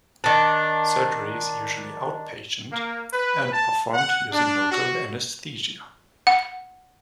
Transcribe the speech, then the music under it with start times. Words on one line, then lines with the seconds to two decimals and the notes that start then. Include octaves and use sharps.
Surgery is usually 'outpatient' and performed using local anesthesia.
0.24 D#3 D4
2.73 A#3
3.14 B4
3.52 A5
3.94 F#5
4.33 D4
4.71 F#4
6.27 F#5